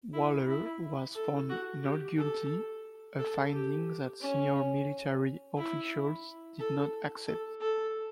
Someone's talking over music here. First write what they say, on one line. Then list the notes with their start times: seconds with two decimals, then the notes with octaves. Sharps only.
Waller was found not guilty, a finding that senior military officials did not accept.
0.13 E4
0.47 E4
1.15 A4
1.49 F#4
1.83 G4
2.17 A4
3.19 A4
3.53 G4
4.21 C#4
5.57 E4
6.59 A4
7.27 A4
7.60 A4